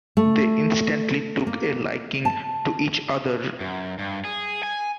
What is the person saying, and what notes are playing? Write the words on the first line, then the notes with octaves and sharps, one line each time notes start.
They instantly took a liking to each other.
A3
A#3
A5
F#2
G2
G#4
G#5